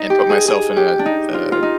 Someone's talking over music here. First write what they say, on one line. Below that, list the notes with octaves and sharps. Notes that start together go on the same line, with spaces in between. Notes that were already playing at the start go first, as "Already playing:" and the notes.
and put myself in a, uh,
Already playing: D#4
G4
G#4
G#4
G4
D4
D#4
F4
F4
D#4